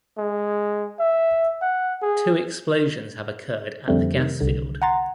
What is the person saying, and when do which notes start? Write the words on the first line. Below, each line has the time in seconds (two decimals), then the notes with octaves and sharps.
Two explosions have occurred at the gas field.
0.18 G#3
0.99 E5
1.62 F#5
2.02 G#4
3.88 F2 D3 G3 A3 C4
4.16 C3 D#3
4.40 C2 D3
4.82 F#5 G#5 A#5 C6 A6